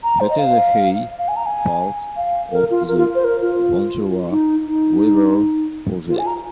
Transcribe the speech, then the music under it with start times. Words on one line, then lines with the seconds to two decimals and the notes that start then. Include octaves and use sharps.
It is a key part of the Ventura River Project.
0.03 A#5
0.20 C5
0.30 D#5
0.39 F5
1.19 F5
1.28 G#5
1.37 A#5
1.46 G#5
2.17 F5
2.52 A#4
2.71 F4
2.88 A#4
2.97 F4
3.15 C5
3.24 A#4
3.42 F4
4.31 D#4
4.67 D#4
6.09 F4
6.18 G#5
6.27 A#5